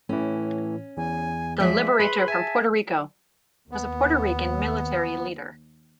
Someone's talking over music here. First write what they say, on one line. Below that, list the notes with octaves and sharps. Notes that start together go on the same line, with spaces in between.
The Liberator from Puerto Rico, was a Puerto Rican military leader.
A2 E3 C#4
E2 G#5
F3 G#3 D5 E5
G#4 B4 B5 C6
E5 G#5 A5
D#2 B3